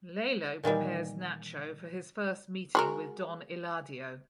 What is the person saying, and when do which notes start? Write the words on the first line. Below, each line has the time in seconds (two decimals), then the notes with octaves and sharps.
Lalo prepares Nacho for his first meeting with Don Eladio.
0.64 A#2 D#3 E3 G3
2.75 G#3 F#4 A#4